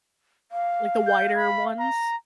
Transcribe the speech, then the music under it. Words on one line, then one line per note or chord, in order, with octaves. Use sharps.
Like the wider ones
F5
G6
B5
A#5